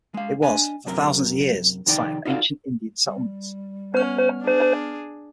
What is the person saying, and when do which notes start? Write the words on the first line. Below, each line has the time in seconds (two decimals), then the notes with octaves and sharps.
It was, for thousands of years, the site of ancient Indian settlements.
0.14 G#3 F5
0.42 D4 D#5 G#5
0.87 F#2 C3 A#4
1.86 F2 C3 D#3 D#4 D5 G5
2.25 D#4 F4 F#4 A4 D5 F5
3.06 G3
3.94 B3 C#4 F6
4.42 D4 G#4